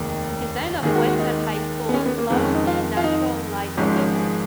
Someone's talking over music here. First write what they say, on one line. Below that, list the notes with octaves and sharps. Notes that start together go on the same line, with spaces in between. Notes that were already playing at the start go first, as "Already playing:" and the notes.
The design of Weston High School is largely natural-light intensive.
Already playing: F1 D#2 D#3 G#3
D#2 D#3 G#3 G#4
F#4
F#4
D#4
B3
C#4
B3
A#3
F2 D#3 G#3 B3
C#4
D#4
F4
F4
D#4
G#1 G#2 F3 G#3 C#4
C#4
G#4